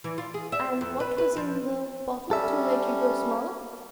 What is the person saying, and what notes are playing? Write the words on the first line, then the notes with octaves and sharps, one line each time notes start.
"And what was in the bottle to make you grow smaller?"
E3
F4
G#4
E5
F2
B4
B4
F3
G3 C#4 A4 E5